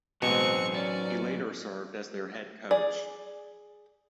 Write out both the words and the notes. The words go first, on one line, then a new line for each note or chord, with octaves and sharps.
He later served as their head coach.
A1 B2 F#3 G#3 B3 C4 C#6
C#4 D5
G#4 D5